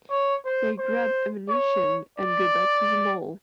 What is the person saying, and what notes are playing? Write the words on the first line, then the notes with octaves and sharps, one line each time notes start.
They grab ammunition and go back to the mall.
C#5
C5
C5
C#5
D5